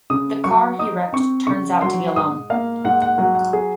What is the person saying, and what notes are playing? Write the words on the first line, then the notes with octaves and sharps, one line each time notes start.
The car he wrecked turns out to be a loan.
C#3 D#6
F#3 C#6
D#4 D#6
C4 C#6
C#3 C#6
F#3 C6
G#2 D#6
A#3 F5
G#2 F#5
F#5
F#3 F#5
F#5
G#4